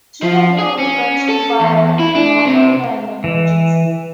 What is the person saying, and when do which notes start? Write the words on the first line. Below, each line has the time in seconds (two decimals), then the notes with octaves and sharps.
Toonerville was mentioned by an onlooker in the Emergency!
0.22 F3
0.58 G#4
0.79 C#4
1.29 A4
1.61 E2
1.99 E4
2.15 D4
2.46 C3
3.24 E3